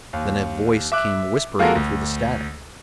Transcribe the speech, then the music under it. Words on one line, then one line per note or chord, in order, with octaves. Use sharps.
Then a voice came whispering through the static.
D#2
E5 D6 F#6
G#3 A#3 F4 F#4 A4 A#4
D2